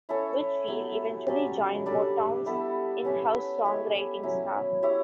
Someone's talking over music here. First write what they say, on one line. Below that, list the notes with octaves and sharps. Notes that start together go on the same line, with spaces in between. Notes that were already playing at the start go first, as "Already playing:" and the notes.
Whitfield eventually joined Motown's in-house songwriting staff.
C#4 E4 A4 C#5
F#3 B3 E4 G4
F#3 C#4 G4 D5
G3 D4 A4 D5
G3 B3 E4 A4
C#4 G4 B4 E5
E4 G4 C#5
F#3 C#4 E4
E4 G4 C#5